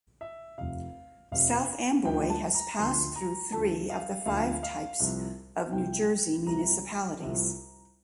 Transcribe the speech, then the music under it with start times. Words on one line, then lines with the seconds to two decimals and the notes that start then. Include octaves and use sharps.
South Amboy has passed through three of the five types of New Jersey municipalities.
0.21 E5
0.58 F1 F2 C3 F5
1.32 F1 F2 C3 F5
2.05 D2 D3 F3 G5
2.30 A5
2.54 A#5
2.79 D2 D3 F3 C6
3.16 A#5
3.52 D2 D3 F3 A5
3.90 F5
4.26 D2 D3 F3 F5
4.63 F5
5.00 C2 C3 F3
5.73 C2 C3 F3 G5
6.46 C2 C3 F3 A#5
7.20 C2 C3 F3